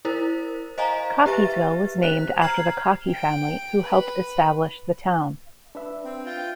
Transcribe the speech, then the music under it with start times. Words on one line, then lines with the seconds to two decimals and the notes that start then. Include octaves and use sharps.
Cockeysville was named after the Cockey family who helped establish the town.
0.05 E4 A#4 C5
0.78 C5 D#5 F5 G#5 A#5
1.26 G4 B4 E5 A6
2.03 C5 F#6
2.41 A#5 F6 G#6 C7 F#7
3.11 G5
3.83 B4
5.75 D4 B4 E5
6.05 C4
6.26 F4 G5